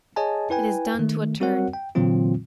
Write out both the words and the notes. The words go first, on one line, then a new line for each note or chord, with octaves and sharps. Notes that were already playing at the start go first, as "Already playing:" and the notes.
It is done to a turn.
G#4 C#5 D#5 G#5 A5
E4 B4 G5 G#5
D#3 A3
G3 C4 F#4 A#4 C#5 F#5
G5
A#2 D3 E3 F#3 C4 F4